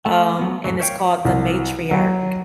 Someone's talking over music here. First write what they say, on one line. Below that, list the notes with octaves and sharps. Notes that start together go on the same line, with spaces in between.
um, and it's called The Matriarch,
A3
F#3 B3
F2 A2 C3 F#3
A#4 C5 C#5 E5 F5 G5
C2
F#3